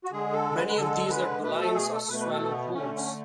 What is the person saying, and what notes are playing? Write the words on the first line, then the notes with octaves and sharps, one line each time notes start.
Many of these are dolines or swallow holes.
F#4
D3 G#3 G#4
A4
B4
B4
D3 G#3 A4
B4
B2 A3 B4
A4
G#4
A4
B2 A3 B4
B4
A4
B3
D3 A3 C#4
C#4